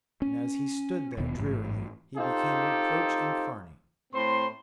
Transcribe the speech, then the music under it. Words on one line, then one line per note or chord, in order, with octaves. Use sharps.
And as he stood there drearily, he became reproach incarnate.
C#4
D#1 D#2 B2 B3
A1 G#2
C4 D#4 F4 G4 A4
A2 C4 C5 C6